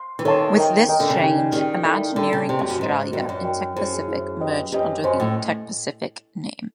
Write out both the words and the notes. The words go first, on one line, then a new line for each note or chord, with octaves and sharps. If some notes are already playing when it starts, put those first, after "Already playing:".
With this change, Imagineering Australia and Tech Pacific merged under the "Tech Pacific" name.
Already playing: C6
E3
D#3 A4 C#5 E5 A5 C6
A#4 D#5 G5
A#4 D#5 G5
D3
C#3
D#4 G4 A#4 D5 G5
D#3 D#4 G4 A#4 D5 G5
E4 A4 D5 G5 B5
D3 E4 A4 D5 G5 B5
C#3
C3 G4 B4 D#5
F#2
F#2
G#2 G4 B4 D#5
G2 F#4 A#4 D#5 G5
F#2
F#4 A#4 D#5 G5
F#2 E4 G#4 C5
E4 G#4 C5
G4 B4 D#5 G5
F#2 G4 B4 D#5 G5
F#2 C5 D#5 G#5 C6
A2